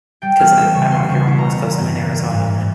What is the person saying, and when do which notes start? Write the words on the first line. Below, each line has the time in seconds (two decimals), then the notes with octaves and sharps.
'cause I'm I'm out here on the West Coast. I'm in Arizona.
0.22 G3 G5
0.39 E2 F6
0.57 G3 E6
0.74 C#3 C#6
0.91 C#4 C6
1.08 C#3 C#6
1.15 C6
1.27 E4
1.38 A#5
1.44 C#4
1.61 E3 A#5
1.78 G2
1.95 E3
2.12 G2
2.30 G#2
2.48 G#2